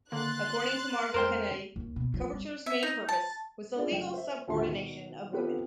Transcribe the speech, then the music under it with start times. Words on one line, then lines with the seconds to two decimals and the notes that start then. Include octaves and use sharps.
According to Margot Canaday, coverture's main purpose ... was the legal subordination of women.
0.12 D3 D#3 A#3 C6 F#6 A6
1.14 F2 G#3 A#4 C5 G5
1.76 D#2
1.96 B2
2.14 F3
2.32 G3
2.66 E5
2.83 D#4
3.09 A5
3.76 D4 F4 G#4 D5
3.91 F#1 A3 G5
4.14 C5 E5
4.48 G#1 D2 A#2 G4 C6
4.67 B2 D#3 D#4
5.33 B3 C4 F4 G4 A4 B4